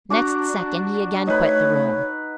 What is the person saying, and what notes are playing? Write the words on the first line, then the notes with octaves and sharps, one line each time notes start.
Next second he again quit the room.
D4 F#4 A#5 D6
A3 D#4 B4 C#5